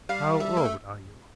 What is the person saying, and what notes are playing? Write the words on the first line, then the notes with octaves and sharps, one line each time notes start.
"How old are you?"
G3 F5
E5
A#3
A3